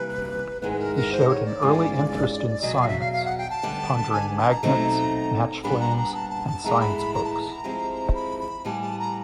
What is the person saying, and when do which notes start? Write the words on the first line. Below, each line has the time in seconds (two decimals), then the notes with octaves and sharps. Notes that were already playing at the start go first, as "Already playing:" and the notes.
He showed an early interest in science, pondering magnets, match flames, and science books.
Already playing: C3 E3 G3 A#3 B4
0.61 G#2 D#3 G#3 B3 E4 B4
0.73 B4
0.79 A#4
0.96 A#4
1.12 C5
1.29 C#5
1.45 D5
1.62 G#2 E3 G#3 C#4 F4
2.62 E2 B2 F#3 D#5
2.75 D5
2.81 F5
2.88 E5
3.00 F5
3.13 F5
3.25 F#5
3.38 G5
3.50 A5
3.63 D3 G3 B3
4.12 G#5
4.38 A5
4.50 A#5
4.63 B2 F#3 A3 C4 D#4
5.64 A#2 G3 B3 D4 B5
5.80 A#5
5.97 A#5
6.14 A5
6.30 A5
6.48 A5
6.64 A2 E3 G#3 B3 E4 A#5
6.80 B5
6.98 B5
7.14 A#5
7.24 A5
7.34 A#5
7.64 F3 G#3 C4 E4 G4
8.14 B5
8.40 B5
8.65 A2 E3 G3 B3 A5
8.81 A5
8.99 A#5